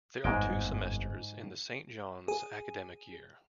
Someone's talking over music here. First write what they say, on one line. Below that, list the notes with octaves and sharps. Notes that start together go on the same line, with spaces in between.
There are two semesters in the Saint John's academic year.
G1 F2 G#2 G#3 G5
G#4